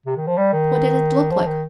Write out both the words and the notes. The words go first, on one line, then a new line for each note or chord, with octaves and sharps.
"What did it look like?"
C3
D#3
F3
G3
D#3
F3
D#3